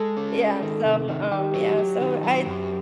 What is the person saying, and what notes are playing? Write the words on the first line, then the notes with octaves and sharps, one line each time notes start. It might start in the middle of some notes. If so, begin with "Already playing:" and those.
Yeah, so, um, yeah, so, I'd
Already playing: G#3 A4
C#4
G#3
D#3
C3
D#3
D#3 G4
F#3
F#3
D#3
F#3
F#2